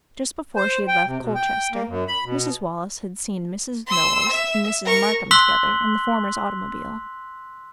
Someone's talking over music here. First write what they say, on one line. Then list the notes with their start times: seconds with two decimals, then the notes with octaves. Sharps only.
Just before she had left Colchester, Mrs. Wallace had seen Mrs. Knowles and Mrs. Markham together in the former's automobile.
0.56 C5
0.88 G5
1.06 C3
1.20 B2
1.35 G5
1.72 A#3
1.88 F#2
2.08 B5
2.25 B2
3.87 C6 E6
4.30 E5
4.85 A#4 C#6
5.31 C6 E6 F#6 B6 F#7 G7